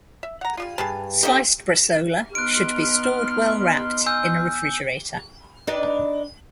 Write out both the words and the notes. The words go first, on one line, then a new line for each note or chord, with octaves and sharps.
Sliced bresaola should be stored well wrapped in a refrigerator.
E5
F#5 A#5
G3 G#3 F4
G2 G#4 B4 A5
D#3 G4 A4 D#5 G5
B3 D#4 C6 F6 F#6 D7
G#5 E6 G6
D4 D#4 B4